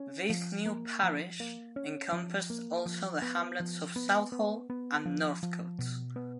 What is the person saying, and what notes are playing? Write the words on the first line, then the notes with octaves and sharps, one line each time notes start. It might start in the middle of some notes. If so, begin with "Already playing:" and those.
This new parish encompassed also the hamlets of Southall and Northcotte.
Already playing: C#4
F3
A#3
F3
A#3
C#4
F3
A#3
F3
B3
F3
B3
B3
B3
F3
F3
B2
B3